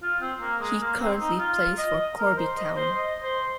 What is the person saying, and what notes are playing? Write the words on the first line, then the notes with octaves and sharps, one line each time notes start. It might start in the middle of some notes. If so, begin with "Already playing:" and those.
He currently plays for Corby Town.
F4
C4
A#3
G#3
A#3
C4
D#4
F4
D#5
A#4
C5
D#5
C5
D#5
C5